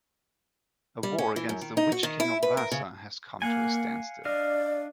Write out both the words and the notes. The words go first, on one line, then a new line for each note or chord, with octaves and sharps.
A war against the Witch-King of Vaasa has come to a standstill.
G3
C#4
E3
F#2
D#3
D#4
F#4
D#3
E4
B4
A#4
C#3
A#3 F5 F#5 G#5
D4 D5 D#5 F5